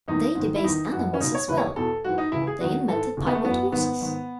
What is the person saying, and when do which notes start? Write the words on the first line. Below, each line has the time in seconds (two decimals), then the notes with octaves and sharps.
They debased animals as well; they invented piebald horses.
0.08 E2 D#3 D#4
0.35 G#2 D#3
0.56 E4
0.64 E2 D#3 D#4
0.92 F#2 E3 F#4
1.14 C#4
1.20 C#2 B2 D#4
1.35 C#5
1.48 D#2 C#3 E3 B4
1.58 C#5
1.76 E2 B2 A4
2.04 G#2 E3 F#4
2.18 D#4
2.32 C#2 C#3 E3 E4
2.47 G#4
2.61 E2 D#3 F#4
2.88 G#2 E3 A4
3.17 D#2 C#3 E3
3.27 B3
3.35 A3
3.44 F#2 E3 B3
3.72 G#2 D#3 B3
4.01 G#2 D#3